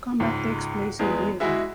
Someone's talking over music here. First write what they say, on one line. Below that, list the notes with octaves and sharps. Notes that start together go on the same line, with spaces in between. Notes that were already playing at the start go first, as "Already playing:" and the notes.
Combat takes place in real-time.
C#2 G#2
E2 G#3 B3
G#3 E4 F#4 G#4 E5